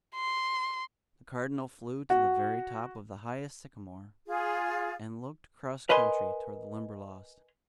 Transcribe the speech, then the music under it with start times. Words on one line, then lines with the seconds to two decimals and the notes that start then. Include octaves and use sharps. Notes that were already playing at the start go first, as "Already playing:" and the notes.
The Cardinal flew to the very top of the highest sycamore and looked across country toward the Limberlost.
0.16 C6
2.10 F#4
4.27 F4 G#4
5.89 A#4 B4 D#5 G#5 C6